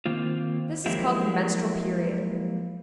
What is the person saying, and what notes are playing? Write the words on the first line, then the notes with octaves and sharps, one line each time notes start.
This is called the menstrual period.
D#3 A#3 C4 F4
F3 F#3 G#3 A#3 E4 G4